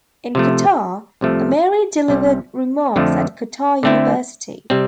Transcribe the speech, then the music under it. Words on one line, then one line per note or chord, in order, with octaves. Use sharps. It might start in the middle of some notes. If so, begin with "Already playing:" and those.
In Qatar, Ameri delivered remarks at Qatar University.
C3 F3 A3
C2 C3 F3 A3
C2 C3 G3
F2 D3 F3 A3
D3 A3 C4 E4
C3 G3 C4